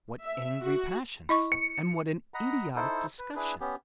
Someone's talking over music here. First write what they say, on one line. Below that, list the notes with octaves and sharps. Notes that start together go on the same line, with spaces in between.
What angry passions--and what an idiotic discussion!
E5
F#4
E4 D#5 C#6
C#7
D#5 F#5 A#5 B5
D#4 E4 A4 C5
B4
D4 E4 G#4 B4
B3 C#4 G4